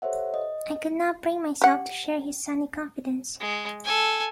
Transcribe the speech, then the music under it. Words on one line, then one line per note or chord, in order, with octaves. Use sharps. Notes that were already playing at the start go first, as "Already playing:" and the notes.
I could not bring myself to share his sunny confidence.
G4 A4 C5 C#5 E5 F#5
D#5
G4 F#5
G#3
A4 G#5